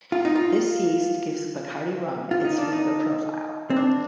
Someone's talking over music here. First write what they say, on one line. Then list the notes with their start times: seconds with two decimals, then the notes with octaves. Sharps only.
This yeast gives Bacardi rum its flavour profile.
0.12 F4
0.25 D#4
0.36 F4
2.31 F4
2.45 D#4
2.58 D4
2.73 D#4
3.70 C4
3.76 D4